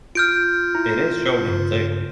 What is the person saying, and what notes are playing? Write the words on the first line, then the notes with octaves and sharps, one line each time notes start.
It is shown in the table.
F4 F6 G6 D7
E4 A#5
G2 C#3